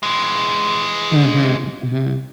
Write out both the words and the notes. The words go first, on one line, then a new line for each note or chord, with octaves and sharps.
Mhm, mhm.
E3 G#3